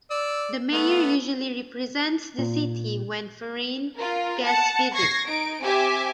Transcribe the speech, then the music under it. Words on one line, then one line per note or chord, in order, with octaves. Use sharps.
The mayor usually represents the city when foreign guests visit.
D5 E6
A3 B3
A#2
F4 A#4
F#5 A5 C#7
C#6 G#6 A#6 C7
D#4 D7
C4 G4 E5 G#5 D6